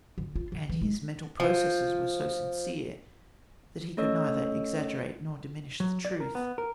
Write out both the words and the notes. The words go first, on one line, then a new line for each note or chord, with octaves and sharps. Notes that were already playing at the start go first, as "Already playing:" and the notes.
And his mental processes were so sincere that he could neither exaggerate nor diminish the truth.
D3
F4
D3
E3
G#3
F3
A3 C#4 A4 C#5 D#5 E6
F#3
D5
A#4
B3
A#4